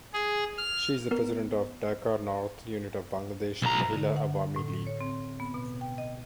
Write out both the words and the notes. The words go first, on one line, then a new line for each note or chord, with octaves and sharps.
She is the President of Dhaka North unit of Bangladesh Mahila Awami League.
G#4
F6
B3 A#4
B1 A#5
D3
F#5
A2
C#5
C4
B3
B2
G5
D#5